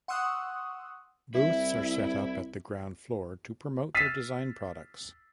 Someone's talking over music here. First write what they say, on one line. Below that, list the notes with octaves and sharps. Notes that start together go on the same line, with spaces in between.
Booths are set up at the ground floor to promote their design products.
F#5 C6 C#6 D#6 E6 F#6
C2 E4
E6 F6 A6 B6 C7 D#7